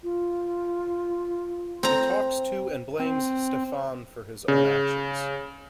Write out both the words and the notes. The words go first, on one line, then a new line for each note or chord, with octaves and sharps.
He talks to and blames Steffen for his own actions.
F4
C4 A#5
C4
C#3